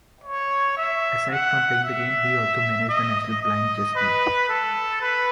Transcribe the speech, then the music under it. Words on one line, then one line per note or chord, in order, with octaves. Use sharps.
Aside from playing the game, he also managed the national blind chess team.
C#5
E5
F#5
E5
D#5
D#5
B4
A4
B4